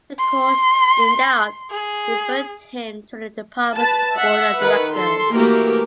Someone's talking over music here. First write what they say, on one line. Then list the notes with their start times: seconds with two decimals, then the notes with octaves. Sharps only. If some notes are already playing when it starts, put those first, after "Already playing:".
The court, in doubt, referred him to the Department's Board of Directors.
0.19 C6
1.71 G#4
3.76 B4 A5
4.15 E5 F#5
4.58 D#3 B4 F#5
4.93 A4 C6
5.32 E3 A3 A#3 F#4 G4 A#4